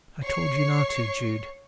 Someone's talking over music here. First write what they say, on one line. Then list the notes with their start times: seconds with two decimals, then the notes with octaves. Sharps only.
"I told you not to, Jude!"
0.23 C#5 C#6 C7